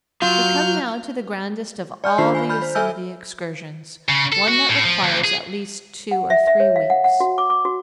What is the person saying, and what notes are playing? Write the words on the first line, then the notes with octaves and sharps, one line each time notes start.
We come now to the grandest of all the Yosemite excursions, one that requires at least two or three weeks.
F#3 F4 F6 G6
D5 F6 G6
D#3 D4 F4 C5 B5 C7
G#5 B5
B5 F6 G6
C5
A4 E5 G#5 E6 F6 G6
C#3
A4
F#4
A2
F3
D2
G#4
F#5
E5
E5
C#5
F5
F#5
F#5
F#4
D6
D6
F#4